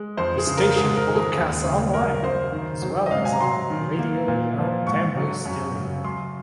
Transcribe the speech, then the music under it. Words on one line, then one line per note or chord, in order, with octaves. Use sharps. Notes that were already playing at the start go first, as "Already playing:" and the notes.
The station broadcasts online as well as on Radio El Tambo Stereo.
Already playing: G#3
F2 C5
G#4
C#3
A#4
G#2 G#4
A#4
D#3
G#4
D#2
C#3
F#2 A#4
C#3 C5
D#3
F#3
D#5
G#2 F5
G#5
A#5
F#3 C6
D#3
A#3
A#2
F3
G#2 C#6
F#3
F#2
C#3
F#2 C6